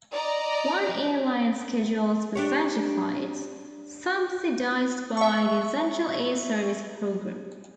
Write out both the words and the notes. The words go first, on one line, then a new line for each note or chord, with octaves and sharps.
One airline schedules passenger flights, subsidized by the Essential Air Service program.
D5 D#5 A#5
D4 G4 C#5
E5 C#6